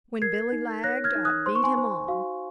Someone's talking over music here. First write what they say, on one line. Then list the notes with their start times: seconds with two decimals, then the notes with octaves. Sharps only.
When Billy lagged I beat him on.
0.22 A#4 G#6 C7
0.52 D#4
0.84 C#5 F#6 A#6
1.04 F6 G#6
1.16 D#4
1.25 D#6 F#6
1.46 C5 C6
1.55 C#6
1.64 G#5 C6
1.78 C5
2.08 F#4 F5